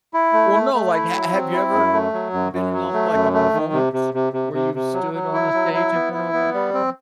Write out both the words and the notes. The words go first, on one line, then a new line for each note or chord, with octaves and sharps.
Well, no, like, ha have you ever, uh, been in a like, a performance, where you've stood on a stage in front of a bunch of people?
E4
A3
A3
A3
E4
F#3
C4
E4
F#2
A3
F#3
F#2
F#2
F#3
A3
F#2
A3
D#3
C3
C3
C3
C3
C3
C3
F#3
F#3
E4
F#3
E4
B3
E4
B3
G3
C4